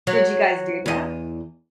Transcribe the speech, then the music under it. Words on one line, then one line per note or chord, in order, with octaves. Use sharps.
Did you guys do that?
F#3
E2 D#5